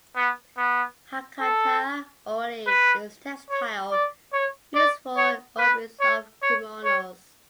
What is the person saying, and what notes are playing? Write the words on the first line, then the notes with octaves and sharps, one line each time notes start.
Hakata ori is a textile used for obis of kimonos.
B3
B3
A4
B4
C#5
D5
C#5
D5
C#5
B4
C#5
C#5
C#5